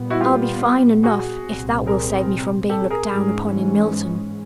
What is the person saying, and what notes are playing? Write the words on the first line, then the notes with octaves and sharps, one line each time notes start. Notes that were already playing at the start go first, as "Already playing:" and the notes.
I'll be fine enough, if that will save me from being looked down upon in Milton.'
Already playing: A#2 G3 B3
E4 F#4
F4 G4
F#4 G#4
C2 A#2 G3 C4
G#4 A#4
G4 A4
G#4 A#4
G#2 E3 G#3 C#4